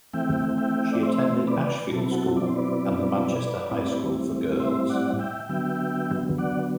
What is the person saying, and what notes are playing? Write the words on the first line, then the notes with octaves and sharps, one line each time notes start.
She attended Ashfield School and the Manchester High School for Girls.
E3 A3 C4 E5 G5
E5 G5
D5
C5 E5
B4 D5
B2 F#3 C4 E4 A4
B4
F#4 A4
D5
C5
B4 D5
A2 G3 C4 E4
C5 E5
D5 F#5
E5 G5
D3 F#3 B3 E5 G5
D5 F#5